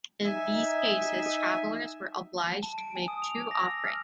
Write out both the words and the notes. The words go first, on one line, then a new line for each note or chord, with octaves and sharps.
In these cases, travelers were obliged to make two offerings.
D#4 E5 G#5
A5
D7
G#5
D#6
F7
D6
A#6
E6
F6